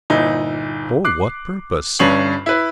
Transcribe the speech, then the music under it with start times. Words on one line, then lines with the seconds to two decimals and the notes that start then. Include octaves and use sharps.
"For what purpose?"
0.10 G1 A#2 D#4 E4
1.05 D6 F#6 C7
1.99 G1 G2 C#4 D4 C7 F#7
2.46 E4 B4